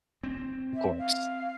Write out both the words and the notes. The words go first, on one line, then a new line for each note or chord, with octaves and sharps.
Of course.
C4
E5
F5